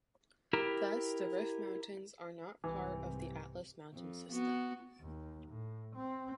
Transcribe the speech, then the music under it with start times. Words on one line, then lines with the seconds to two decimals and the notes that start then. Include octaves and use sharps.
Thus the Rif mountains are not part of the Atlas Mountain System.
0.53 E4 G4 A#4
2.64 C2 G#2 C3 E3
3.94 F2
4.32 B3 F#4
5.01 D#2
5.47 A2
5.95 C4